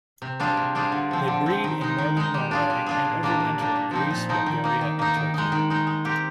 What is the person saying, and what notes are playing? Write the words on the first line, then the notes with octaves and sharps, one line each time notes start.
They breed in Northern Norway and overwinter in Greece, Bulgaria and Turkey.
C3
G3 D4 F4 G#4
C3
G3 D4 F4 G#4
D3
F3 C4
D3
F3 C4
D#3
G#3 D#4
D#3
G#3 D#4
G3
D4 F4 G#4
G3
D4 F4 G#4
A#2
G3 A#3 D4
A#2
G3 A#3 D4
A#2
F3 C4 D#4
A#2
F3 C4 D#4
D#3
A#3 D#4
D#3
A#3 D#4
D#3
G#3 D#4
D#3
G#3 D#4
G#3
C4 G4 A#4